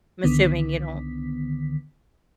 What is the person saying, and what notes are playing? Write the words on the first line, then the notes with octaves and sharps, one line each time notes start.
I'm assuming you don't
C2 D3 D#3 B3 B6